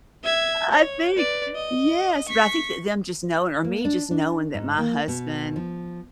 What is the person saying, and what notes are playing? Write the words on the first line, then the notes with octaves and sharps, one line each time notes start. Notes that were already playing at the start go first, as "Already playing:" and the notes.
I think yes. But I think that them just knowing or me just knowing that my husband
E5 G#6
C#5
B4 D5
D#5
C#6 B6
A#3
D4
D4
G#2
A#3
B2
F3